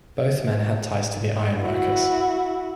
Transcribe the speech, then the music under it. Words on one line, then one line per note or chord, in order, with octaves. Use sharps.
Both men had ties to the Ironworkers.
E4 F#4